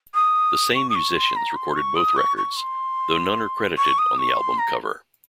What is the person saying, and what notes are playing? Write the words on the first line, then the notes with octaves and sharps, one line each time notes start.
The same musicians recorded both records, though none are credited on the album cover.
D#6
C#6
D#6
C#6
C6
A#5
C6
C#6
D#6
C#6
C#6
C6
C#6
D#6
C#6
C6
A#5